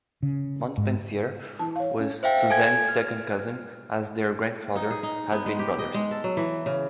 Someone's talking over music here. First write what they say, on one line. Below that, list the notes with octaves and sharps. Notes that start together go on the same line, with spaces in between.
Montpensier was Suzanne's second cousin as their grandfathers had been brothers.
C#3
G#2
E3 A5
C#5 F5
C#4
C5 E5 F5 G5
A4 G#5 G#6
F6
D#4
G#4
D#4
B3
G#3
G4
D#5
G#3
A4
F#3
E3
C#3